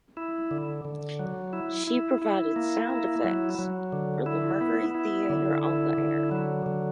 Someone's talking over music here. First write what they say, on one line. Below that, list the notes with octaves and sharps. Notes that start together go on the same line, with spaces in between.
She provided sound effects for "The Mercury Theatre on the Air".
E4
D3
D3
F#3
E4
E4
E4
A#3
E4
F#3
F#3
D3
E4
B3
E4
D3
E4
D3
F#3
D3